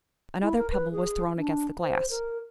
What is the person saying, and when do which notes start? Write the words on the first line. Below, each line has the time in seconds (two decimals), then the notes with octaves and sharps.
Another pebble was thrown against the glass.
0.43 E4
0.58 A#4
0.72 B4
0.92 G#4
1.37 D4
1.80 C5
2.10 A#4